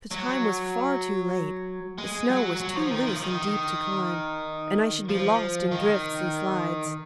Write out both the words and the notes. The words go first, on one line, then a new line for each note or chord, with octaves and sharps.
The time was far too late, the snow was too loose and deep to climb, and I should be lost in drifts and slides.
F#3
G#3
F#3
F#3
F3
D#3
F3
D#3
F3
D#3